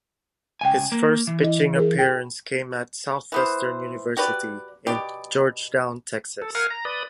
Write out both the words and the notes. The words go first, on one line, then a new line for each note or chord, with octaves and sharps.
His first pitching appearance came at Southwestern University in Georgetown, Texas.
C#2 F5 G5 G#5
A#3
E3
E4 D#5
G#4 A#4
G5
E3 B3 C5
F#4 G4 B4 D5
B2 G4 D5
A4
A#4 F5 F#5 G#5
A#5
B4 D5 D#6